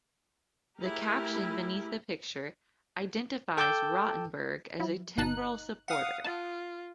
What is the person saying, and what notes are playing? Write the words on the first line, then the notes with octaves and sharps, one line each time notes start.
The caption beneath the picture identifies Rotenberg as a Timbrell supporter.
A3 E4 G4 G#4 A#4
A4 G5 A5 D6 E6 G6
F3 F#3 E4
G1 B2 D#4 A5 F#6
F5 F#5 D#6
F4 A5